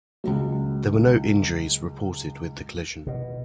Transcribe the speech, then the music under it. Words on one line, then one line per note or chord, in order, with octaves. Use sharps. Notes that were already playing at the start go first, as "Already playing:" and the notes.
There were no injuries reported with the collision.
C#2 F#3
B2